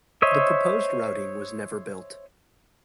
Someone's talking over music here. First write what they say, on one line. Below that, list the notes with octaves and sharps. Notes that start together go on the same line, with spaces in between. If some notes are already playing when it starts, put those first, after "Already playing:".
The proposed routing was never built.
C5 C#5 D#5 E5